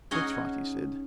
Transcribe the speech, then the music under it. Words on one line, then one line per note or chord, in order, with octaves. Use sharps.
"That's right," he said.
C#4 D#4 F#4 G#4